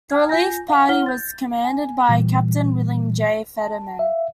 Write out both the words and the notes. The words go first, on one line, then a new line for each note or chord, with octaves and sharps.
The relief party was commanded by Captain William J. Fetterman.
G5 A5 F6 G#6
F4 G#5 G6 A#6
F5 F#5
E4 C#5 F#5 F6 G7
G6 A6
G#5
A#2 E3 G3
A5
E5 F5